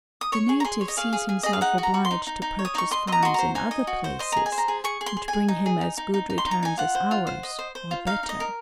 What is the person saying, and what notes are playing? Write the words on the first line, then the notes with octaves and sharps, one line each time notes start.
The native sees himself obliged to purchase farms in other places, which bring him as good returns as ours, or better.
D#6
C#5 C#6
G#4
A#5
G#4 C6
C#5
D#5
G#4 F5
G#4
G#4
G#4 D#5
F5
D#4 F#5
F#4
A#5
F#4
C6
D#4
D#4
D#4
C#5
D#6
D#4 C#6
D#5 C6
D#5 A#5 C6
F#4 C6
C5 A#5
D#4 G#5
D#5
F#4
C5
D#5 C6
G#4 A#5
G#5
C5
A#5
G#4
G#4 C#6
G#4
C6
G#4
G#5
G#4
D#4
G#4
D#4
D#4
D#4
D#4
C6
D#4
A#5
D#4 G#5
F4 F#5
C5
F4
C5
D#5
C5
C5
F4
D#4 F5
D#4
D#5
A#4